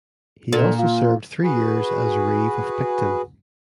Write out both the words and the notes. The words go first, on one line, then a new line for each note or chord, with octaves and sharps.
He also served three years as reeve of Picton.
A#2 D3
F4
F#4 G#4 B4